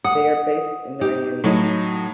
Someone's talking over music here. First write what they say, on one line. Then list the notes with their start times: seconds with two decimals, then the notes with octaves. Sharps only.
They are based in Niamey.
0.04 F#5 D#6
1.01 D#4 G4
1.44 A2 F#3 D#4